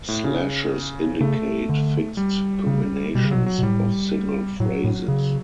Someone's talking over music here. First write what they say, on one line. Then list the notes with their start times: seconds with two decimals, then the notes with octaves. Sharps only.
Slashes indicate fixed combinations of single phrases.
0.08 A2
0.24 C#3
1.21 C#3 A3
1.69 D3
2.17 G3
2.67 C#3
3.15 B2 G3
3.24 C#3
3.31 B2 F#3
3.46 F#3
3.58 B2
3.63 A2 G3
4.60 A2 F#3
4.84 A2
5.08 C#3